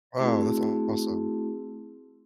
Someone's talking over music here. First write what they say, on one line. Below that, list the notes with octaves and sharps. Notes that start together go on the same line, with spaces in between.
Oh, that's awesome.
A3 C4 E4 F#4 G#4